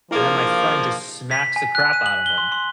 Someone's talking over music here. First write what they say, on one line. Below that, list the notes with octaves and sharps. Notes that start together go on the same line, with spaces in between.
and then my friend just smacks the crap out of him,
G2 F3 A#3 E4 G#4
B6
G#5
F#6
D#7
F#7
G7
C6
C6